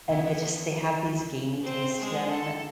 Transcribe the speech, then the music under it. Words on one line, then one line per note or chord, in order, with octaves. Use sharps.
and they just they have these gamey taste to them
D3 E3 B3 E4
C4
G#3
A4